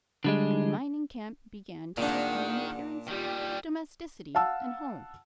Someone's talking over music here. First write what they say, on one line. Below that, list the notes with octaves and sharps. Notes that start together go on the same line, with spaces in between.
And the mining camp began to take on an appearance of domesticity and home.
D3 G3 G#3
A#2 D#3 D4 G#4 F#5
D#3 G3 F4 G4
F5 F#5 A5 E6